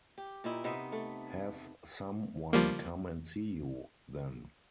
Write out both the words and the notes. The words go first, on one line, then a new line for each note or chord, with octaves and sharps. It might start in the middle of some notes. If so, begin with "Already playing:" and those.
Have some one come and see you, then.
G4
A#2 D#4 E4
C3 B3 D#4 E5
A3
F3 G3 A#3